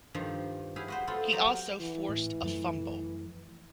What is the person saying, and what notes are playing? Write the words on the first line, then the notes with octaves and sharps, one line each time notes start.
He also forced a fumble.
G2 D#3 F3 G3
E4 G4 G#4 F5
F#4 B4 C5
G#3 B3 C4 F4 A4
F#3 F#4 G4 F#5 A5 A#5
E3
A2
F#2 F3 A3